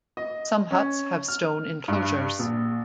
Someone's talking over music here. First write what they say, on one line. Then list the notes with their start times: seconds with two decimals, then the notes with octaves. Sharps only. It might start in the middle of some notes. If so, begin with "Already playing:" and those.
Some huts have stone enclosures.
0.17 D#5
0.71 C#4
1.28 F6
1.88 G2
2.39 A#1